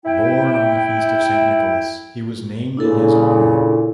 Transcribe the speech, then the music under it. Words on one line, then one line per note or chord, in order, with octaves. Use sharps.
Born on the feast of Saint Nicholas, he was named in his honour.
E4 G5
A#2 C#3 D4 E4 A4